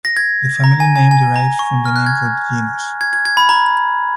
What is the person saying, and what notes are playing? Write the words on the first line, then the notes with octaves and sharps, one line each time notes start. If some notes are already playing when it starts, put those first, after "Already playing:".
The family name derives from the name for the genus.
A#6
G#6
A#5
G#5
G#5
G#5
A#5
C#6
F6
F#6
G#6
G#6
G#6
G#6
B5
A#5